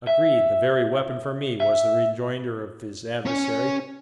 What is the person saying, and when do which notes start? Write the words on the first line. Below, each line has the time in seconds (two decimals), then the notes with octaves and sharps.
"Agreed! the very weapon for me!" was the rejoinder of his adversary.
0.07 E5
1.60 E5
3.26 C#4 C#5